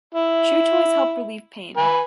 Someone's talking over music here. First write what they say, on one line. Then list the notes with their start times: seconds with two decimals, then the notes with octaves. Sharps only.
Chew toys help relieve pain.
0.14 E4
1.77 B4 G#5